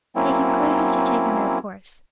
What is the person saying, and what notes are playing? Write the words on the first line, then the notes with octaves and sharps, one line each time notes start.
He concluded to take a middle course.
F#3 A#3 C4 C#4 E4